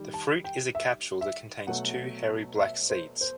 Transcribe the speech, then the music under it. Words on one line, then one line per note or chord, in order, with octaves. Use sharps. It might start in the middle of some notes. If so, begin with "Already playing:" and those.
The fruit is a capsule that contains two hairy black seeds.
Already playing: D#3 G3
A5
G5
E5
E5
B2 F#3 A3 F#5
E5
C5
C5